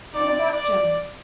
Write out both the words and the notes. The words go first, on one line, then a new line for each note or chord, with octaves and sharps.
What about Jim?'
F3 C4 D#4 D5
D5